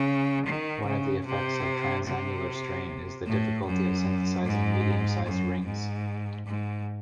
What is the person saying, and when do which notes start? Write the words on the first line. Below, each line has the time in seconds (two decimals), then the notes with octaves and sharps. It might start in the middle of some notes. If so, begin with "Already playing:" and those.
One of the effects of transannular strain is the difficulty of synthesizing medium-sized rings.
Already playing: C#3
0.46 D#3
0.87 C#3
1.26 C3
2.06 C3
3.26 A2
3.66 F#2
4.46 G#2
5.26 F#2
5.66 G#2
6.47 G#2